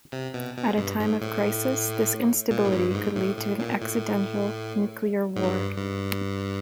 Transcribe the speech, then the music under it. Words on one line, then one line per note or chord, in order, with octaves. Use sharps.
At a time of crisis, this instability could lead to an accidental nuclear war.
C3
B2
B2
G2
G#2
A2
A#2
G#2
G2
G2
G#2
A2
A2
A#2
A2
G#2
G2
G2